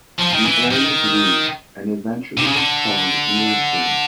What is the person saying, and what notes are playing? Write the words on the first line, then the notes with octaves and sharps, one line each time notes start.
The area grew and eventually was called Mayesville.
F3
D#3
E3
D#3
C3
C#3
D3